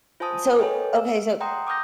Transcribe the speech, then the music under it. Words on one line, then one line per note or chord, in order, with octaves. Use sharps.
So, okay, so,
F4 C5 G#5 A5 D#6
A4 B4 C#5 D#5 G5 G#5
E6
F#5 G5 A#5 C6 D#6
D6 D#6 F6 G6 A#6